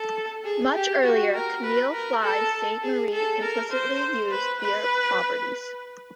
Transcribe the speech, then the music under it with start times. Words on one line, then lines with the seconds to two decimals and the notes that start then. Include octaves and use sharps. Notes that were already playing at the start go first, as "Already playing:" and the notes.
Much earlier, Camille Flye Sainte-Marie implicitly used their properties.
Already playing: A4
0.45 G#4
0.74 G4
1.04 F#4
1.33 A#4
1.64 B4
1.93 A#4
2.23 A4
2.82 G#4
3.13 A4
3.42 A#4
3.71 C5
4.31 B4
4.61 B4